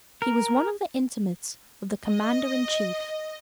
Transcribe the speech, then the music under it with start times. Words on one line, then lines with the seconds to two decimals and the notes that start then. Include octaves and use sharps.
He was one of the intimates of the Commander-in-Chief.
0.22 A#4
2.08 D#5